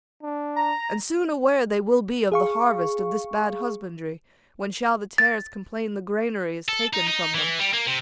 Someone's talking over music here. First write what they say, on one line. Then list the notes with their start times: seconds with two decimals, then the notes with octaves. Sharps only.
And soon aware they will be of the harvest Of this bad husbandry, when shall the tares Complain the granary is taken from them.
0.23 D4
0.57 A#5
2.32 G#4 F5 C#6
5.18 A6
6.68 A4
6.93 D#4
7.08 D#4
7.34 E3
7.59 G3
7.73 A#3
7.87 C3